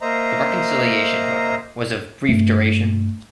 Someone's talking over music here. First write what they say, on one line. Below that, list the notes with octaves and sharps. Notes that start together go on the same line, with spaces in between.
The reconciliation, however, was of brief duration.
A#3 C5 D#5 E5 A#5
G2 A3